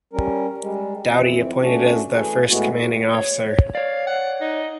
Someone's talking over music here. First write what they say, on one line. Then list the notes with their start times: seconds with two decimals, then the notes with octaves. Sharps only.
Dowdy appointed as the first Commanding Officer.
0.13 G3 C#4 A#4
0.61 G3 G#3
1.09 F2 E3 C4
1.62 A3 C#4 D4 F#4
2.14 E3 A3 G#4
2.50 A2 G#3 A3 B3 F#4
3.14 C#5
3.75 C#5 D5 F5
4.07 F#5
4.41 D#4